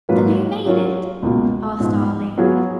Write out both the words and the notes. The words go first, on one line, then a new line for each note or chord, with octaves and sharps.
"Then, who made it?" asked Arline.
G#2 F#3 A#3 F4 B4
F#3 C#4 F4 A#4 C#5
C#2 B2 A#3 F4
G#2 F3 B3
F#3 B3 F4 G#4